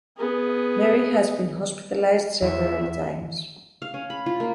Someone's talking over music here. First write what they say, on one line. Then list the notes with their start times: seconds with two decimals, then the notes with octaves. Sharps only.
Mary has been hospitalized several times.
0.17 B3 G#4
2.42 E2 E5
3.82 F5
3.94 C#4
4.10 B5
4.26 F4
4.40 A#3